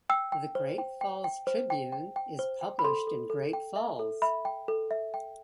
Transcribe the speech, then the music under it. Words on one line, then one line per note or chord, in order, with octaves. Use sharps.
The "Great Falls Tribune" is published in Great Falls.
G5 E6
G5
C5
G5
G5
G5
C5
G5
G5
G5
C5
G5
B5
A4 C6
A4
A4
G5
E5
A4
E5 B5
G5
A4
E5
G5